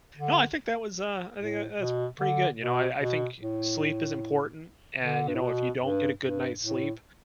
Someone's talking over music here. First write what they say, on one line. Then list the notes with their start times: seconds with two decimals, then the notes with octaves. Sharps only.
No, I think that was, uh, I think that, uh, that's pretty good, you know, I I think sleep is important and, you know, if you don't get a good night's sleep,
0.16 D3
1.38 A2
1.78 B2
2.19 D3
2.59 B2
2.99 B2
3.39 A2
5.01 D3
5.28 G2
5.35 A2
5.42 B2
5.82 G2
6.23 G2
6.63 A2